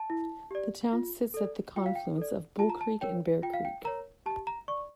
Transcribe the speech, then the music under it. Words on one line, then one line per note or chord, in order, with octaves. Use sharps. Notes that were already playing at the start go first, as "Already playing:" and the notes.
The town sits at the confluence of Bull Creek and Bear Creek.
Already playing: A5
E4
G4 D5
F4
A4 D5
F4 G5
F5
G5
A4 D5
F4 A5
A#5
A5
A#4 C#5 G5
F4 G5
F5
G5
A#4 C#5 A#5
G4 A5
A#5
D5 C#6